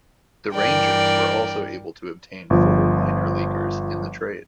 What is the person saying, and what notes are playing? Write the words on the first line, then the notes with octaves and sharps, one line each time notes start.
The Rangers were also able to obtain four minor leaguers in the trade.
G2 E3 A#4 D5 G5
G1 F3